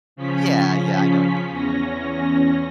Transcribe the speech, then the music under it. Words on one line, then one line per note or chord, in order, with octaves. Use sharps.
Yeah, yeah, I know what you mean.
C#3 F3 C#4 B6
E2 C#4 A#6